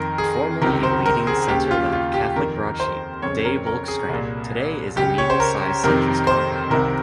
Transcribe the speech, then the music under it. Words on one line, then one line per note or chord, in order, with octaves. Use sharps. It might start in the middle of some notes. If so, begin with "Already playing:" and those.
Formerly a leading centre-left Catholic broadsheet, "de Volkskrant" today is a medium-sized centrist compact.
Already playing: F2 D#3 A#4
G#4
C#2 C3 D#3 A#4
C5
A#4
G#4
D#2 C#3 G4
F4
F4
G4
F2 D#3 A#4
C5
F2 C#3 C#5
A#4
A#4
G#4
C2 A#2
C#2 C#3 G4
C#5
C5
A#4
F2 C3 D#3 A#4
C5
C2 C3 D#3 A#4